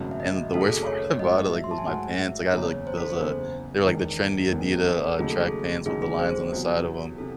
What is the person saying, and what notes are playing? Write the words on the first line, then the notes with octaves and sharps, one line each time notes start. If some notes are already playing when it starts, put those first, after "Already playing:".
and the worst part about it, like, was my pants. I got, like those uh, they're, like, the trendy Adidas, uh, track pants with the lines on the side of 'em,
Already playing: G#1 F#2 C#3 F#3 A3
E5
D#5
G#1 F#2 C#3 F#3 A3 A4
G#4
A4
C#5
G#2 F#3 A3 D#5
E5
C6
A5
G#5
G#2 F#3 A3 F#5
E5
F#1 E2 C#3 C#5
C5
A4
C5
F#1 E2 C#3
E1 E2 D#3 G#3
E1 E2 D#3 G#3
A4
D#2 C#3 F#3 A3 D#4 G#4
A4
G#4
D#2 C#3 F#3 A3 D#4 G#4
G#4
C5
E2 C3 F#3
C3 A4